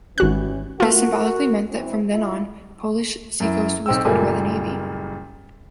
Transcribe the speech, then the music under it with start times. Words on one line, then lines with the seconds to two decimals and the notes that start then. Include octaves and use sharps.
This symbolically meant that from then on, Polish seacoast was guarded by the Navy.
0.18 G#1 E3 G3 C#4 F#4 F#6
0.80 A3 F4 F#4 A#4
1.70 E3 C4
2.11 E4 F4
3.40 F#2 E4
3.86 B1 C4 G5 E6
4.05 F#1 A#2 G3 A3 A#4 G#5